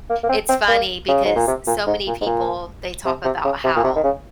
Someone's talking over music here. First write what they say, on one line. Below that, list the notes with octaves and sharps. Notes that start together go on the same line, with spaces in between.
it's funny because so many people, they talk about how
A#3
A#3
C4
C4
A#3
C#3
G#2
A#2
C3
A#2
G#2
A#2
G#2
A#2
C3
C3
C#3
C3
A#2
C3
D#3
C#3